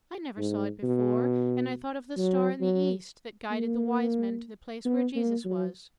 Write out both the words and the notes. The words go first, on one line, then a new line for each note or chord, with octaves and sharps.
I never saw it before, and I thought of the Star in the East, that guided the wise men to the place where Jesus was.
G#2
B2
F#3
F#3
A#3
B3
A#3
F#3